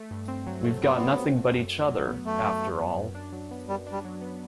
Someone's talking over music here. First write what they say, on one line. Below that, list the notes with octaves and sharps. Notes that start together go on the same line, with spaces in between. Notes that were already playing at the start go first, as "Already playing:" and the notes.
We've got nothing but each other, after all.
Already playing: A3
G2
C4
F#3
A3
G2 B3
C4
F#3
A3
F#2
F#2
F#3
B3
F#2 A3
F#2
F#3
B3
F#2
D4
F#3
B3
F#2 G3
D4
G3
F#3
B3